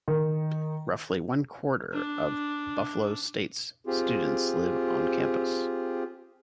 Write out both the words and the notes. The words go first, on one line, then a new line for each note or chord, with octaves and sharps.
Roughly one-quarter of Buffalo State's students live on campus.
D#3
D4
C4 F4 G4 G#4